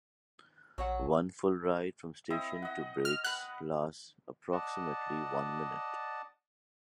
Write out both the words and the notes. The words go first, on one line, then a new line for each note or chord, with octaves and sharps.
One full ride from station to brakes lasts approximately one minute.
A#1 F#3 C#5 F#5
C4 E4 D#5
D#5 F#5
F6
B4 F#5 F#6
D5 D#5 F#5 A5